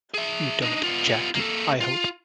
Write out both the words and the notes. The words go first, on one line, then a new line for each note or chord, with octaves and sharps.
You don't object, I hope?
G#4 E5
D4 D#4
B3 F4
A#3 A4
F4